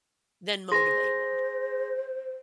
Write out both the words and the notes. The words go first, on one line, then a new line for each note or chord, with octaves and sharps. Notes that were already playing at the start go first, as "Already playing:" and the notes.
than motivated?
G#4 C5 C6 A#6